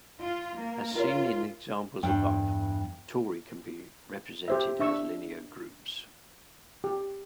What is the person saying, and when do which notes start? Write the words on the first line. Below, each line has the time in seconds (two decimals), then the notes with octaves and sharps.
As seen in the examples above tori can be represented as linear groups.
0.20 F4
0.58 A#3
0.96 F4 A#4 C#5
2.03 E2 G2 G5
4.48 G4 C5 E5
4.79 D4 E5 C#6 E6
6.84 G4